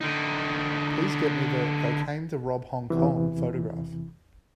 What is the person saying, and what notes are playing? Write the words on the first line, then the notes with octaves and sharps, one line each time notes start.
Please get me the They Came to Rob Hong Kong photograph.
D3 D#4
E2 C3 E3